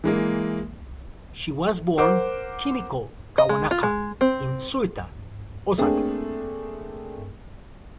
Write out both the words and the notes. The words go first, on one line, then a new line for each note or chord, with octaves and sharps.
She was born Kimiko Kawanaka in Suita, Osaka.
E3 G#3 A#3
A#4 C5 F#5 D6
D#5
G#3
F4
G#3
C4
A3 A#3 C4 D4 G#4